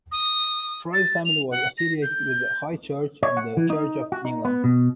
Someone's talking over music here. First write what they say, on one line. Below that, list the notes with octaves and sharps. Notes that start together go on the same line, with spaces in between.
Fry's family was affiliated with the "High Church" in the Church of England.
D#6
A6
F7
F#5
A#6
G6
C#5
F#5
E3
D#4
F#4
D#4
B3
B2